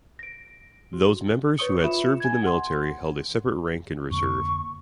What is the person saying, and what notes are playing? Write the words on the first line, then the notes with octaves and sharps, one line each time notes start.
Those members who had served in the military held a separate rank in reserve.
A#6 D7
F#4
B4 C#5 C#6 D#6 C#7
F4 E5 B5 E7
G#5 G#6
F#5 C6
F2 D3 A#3 C#6